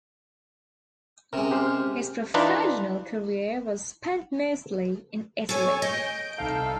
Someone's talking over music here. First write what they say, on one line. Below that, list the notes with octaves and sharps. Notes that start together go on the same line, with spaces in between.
His professional career was spent mostly in Italy.
C3 G#3 C#4 A#4
G4 C5 F6
E3 D4 D#4 F4 B4
A4 C#5 G#5
D#5 G6 D7
C2 C3 D#4 A4 F5